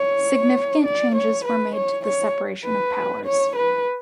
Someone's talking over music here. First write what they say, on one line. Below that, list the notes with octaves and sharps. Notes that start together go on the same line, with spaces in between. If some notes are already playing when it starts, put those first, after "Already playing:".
Significant changes were made to the separation of powers.
Already playing: C#5
D5
C#5
B4
C#5
C#5
B4
C#5
B4